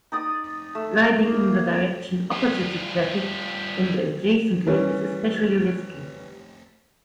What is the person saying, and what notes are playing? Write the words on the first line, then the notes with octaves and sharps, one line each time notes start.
Riding in the direction opposite to traffic in the adjacent lane is especially risky.
D#4 D5 D#6
A3
A#3
G3 F4
E3 G3 C#4